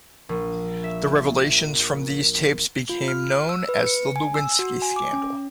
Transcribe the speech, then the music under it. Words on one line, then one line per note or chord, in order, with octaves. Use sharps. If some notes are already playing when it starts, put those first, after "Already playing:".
The revelations from these tapes became known as the Lewinsky scandal.
A#1
E5
F4
F6
E6
B4
C#7
G#5
E6
F#4
G#5
D6
C#4